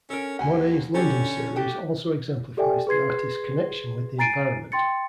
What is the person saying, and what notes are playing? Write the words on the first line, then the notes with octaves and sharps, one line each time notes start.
Monet's London Series also exemplifies the artist's connection with the environment.
C#4 A4 A#4
D#2 F#5 G#5
D3 C#4 G4 A4
F#4 G4 A4
G4 A4 D5 E5 G5 G#5
G#4 B4 C6 G#6 C7
G#5 A#5 A6 C7 D7 D#7
G5 C6 A6 C#7